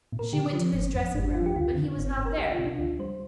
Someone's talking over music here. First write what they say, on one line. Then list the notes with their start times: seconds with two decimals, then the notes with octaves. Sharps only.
She went to his dressing-room, but he was not there.
0.12 A#2
0.19 A#4
0.33 D3 G4
0.53 F3
0.73 G1
0.95 F2
1.14 G1 D4
1.35 F2 F4
1.46 G4
1.56 D2 F4
1.76 D3
1.97 G1
2.18 G1
2.26 A#4
2.38 C2 G4
2.52 F4
2.59 C3
2.65 D4
2.78 D2 F4
2.99 G3 C5